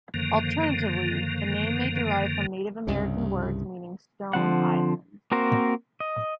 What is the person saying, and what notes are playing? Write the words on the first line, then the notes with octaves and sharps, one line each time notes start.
Alternatively, the name may derive from Native American words meaning "stone island".
F#2 D3 D#3 F3 A#3
C2 G2 C#3
D3 F3 C4 F#5
A#3 C4 F#4 A#4 C5
D#5